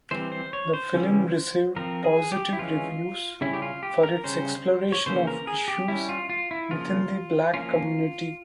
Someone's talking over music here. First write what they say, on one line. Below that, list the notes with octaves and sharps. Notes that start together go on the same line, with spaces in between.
The film received positive reviews for its exploration of issues within the black community.
E3 G3 C4 C5
C5
C#5
C5
C#3 E3 G3 C#4
F3 C4 A#4
G#4
G4
E4
E3 G#3 C#4 F4
C#3 G3 C#4 E4
G4
F4
G4
A#4
C#3 G3 C#4 C5
C#5
C#3 E3 A#3 C#4 C5
A#4
G#4
G4
G3 C#4 E4
F4
F4
E4
C#3 F3 A#3 F4
F3 A#3 C#4 F4